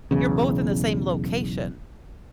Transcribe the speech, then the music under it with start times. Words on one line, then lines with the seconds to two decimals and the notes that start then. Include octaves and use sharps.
You're both in the same location.
0.11 B1 E2 C#3